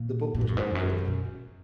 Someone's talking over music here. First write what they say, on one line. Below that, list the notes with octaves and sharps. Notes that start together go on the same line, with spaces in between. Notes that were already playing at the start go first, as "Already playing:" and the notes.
The book was not killed.
Already playing: A#2
A#2
G#2
F#2
G#2
E2
F#2
D#3
C#3
B2